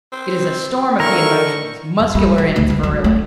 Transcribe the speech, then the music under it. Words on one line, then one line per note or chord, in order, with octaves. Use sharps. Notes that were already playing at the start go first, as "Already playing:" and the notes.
It is a storm of the emotions, muscular in its virility.
C4
D3 E4 A#4 C#6
G2
G3
F#3
D2
G3
F#3
A3